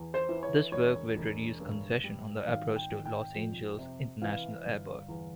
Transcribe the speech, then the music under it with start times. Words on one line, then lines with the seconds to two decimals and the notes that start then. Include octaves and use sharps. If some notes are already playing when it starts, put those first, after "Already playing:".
This work would reduce congestion on the approach to Los Angeles International Airport.
Already playing: E2
0.14 C5
0.29 E3
0.43 C#5
0.72 E1 C#5
1.16 E1
1.60 G2
2.04 G3
2.47 G#1 F5
2.76 G5
2.91 G#1
3.05 G5
3.34 F2
3.78 C3
4.22 E3 F5
4.65 G1
5.09 E2